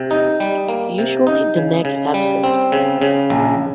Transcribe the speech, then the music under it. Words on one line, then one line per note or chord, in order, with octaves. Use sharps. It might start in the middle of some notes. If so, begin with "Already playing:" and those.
Usually the neck is absent.
Already playing: C3
D#4
G3
A#3
C3
D#4
C#3
C#3
G3
C4
C#3
C#3
A#1